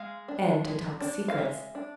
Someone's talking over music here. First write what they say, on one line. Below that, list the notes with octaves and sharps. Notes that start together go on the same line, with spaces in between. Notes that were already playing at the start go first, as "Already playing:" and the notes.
"And to talk secrets."
Already playing: G#3 F5
D4
G#3
D4
F5
G#3 E5
D4